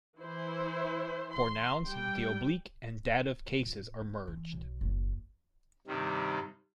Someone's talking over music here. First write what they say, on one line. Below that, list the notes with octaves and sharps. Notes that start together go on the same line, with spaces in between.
For nouns the oblique and dative cases are merged.
E3 E4 C5
C6
G3 G5
A#2
B3
E3
B1
F#1 D#2
G2 C3 D#3 G3